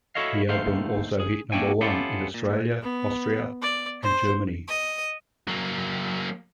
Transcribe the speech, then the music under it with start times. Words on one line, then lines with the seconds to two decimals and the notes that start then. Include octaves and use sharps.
The album also hit number one in Australia, Austria, and Germany.
0.15 E4 F#4 A4 C#5 D#5 F5
0.49 D#2 D3 D#3 A3 C5 F5
1.20 G#4
1.52 A#3 D4 E4 F#4 G5 G#5
1.81 B3 C#4 E4 F4 G4 A4
2.34 A#2
2.82 B3
3.62 D5
4.02 C5
4.68 D#5
5.48 F#3 A#3